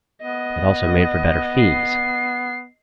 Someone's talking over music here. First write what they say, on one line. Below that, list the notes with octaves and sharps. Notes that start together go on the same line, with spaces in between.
It also made for better fees.
B3 D#5
C7